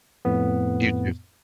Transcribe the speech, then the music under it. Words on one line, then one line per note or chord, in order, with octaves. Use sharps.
You too.
F2 A2 B3